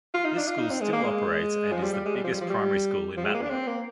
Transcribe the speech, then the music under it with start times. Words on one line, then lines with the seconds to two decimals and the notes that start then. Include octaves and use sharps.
This school still operates and is the biggest primary school in Matlock.
0.14 F4
0.25 D#4
0.37 D4
0.47 F4
0.58 D#4
0.70 C4
0.81 G#3
0.93 A#3
1.04 G#3
1.72 F3
1.82 G3
1.93 G3
2.05 G#3
2.16 G3
2.24 F3
2.32 G3
2.41 F3
2.50 G3
3.17 F3
3.25 G#3
3.34 A#3
3.42 D4
3.50 C4
3.67 A#3